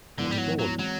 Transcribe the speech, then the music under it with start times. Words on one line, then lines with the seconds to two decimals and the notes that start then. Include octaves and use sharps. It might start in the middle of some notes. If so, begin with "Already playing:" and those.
"Not at all."
0.18 G#2 D3 F3 G#3 B3 E4
0.31 G3
0.38 F#3
0.59 F#3
0.79 E3 F#3 G#3 C4